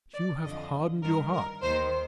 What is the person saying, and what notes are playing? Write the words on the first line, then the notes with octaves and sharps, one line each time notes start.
You have hardened your hearts.
D5
F2 D3 F3 D#5
G2 D#3 A#4
A#4
D#2 D#3 C5